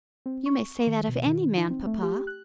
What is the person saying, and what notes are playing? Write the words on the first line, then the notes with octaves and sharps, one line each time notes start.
"You may say that of any man, papa."
C4
C#6
D#3
B2
D#3
D#4
C4
A3
G4
F#6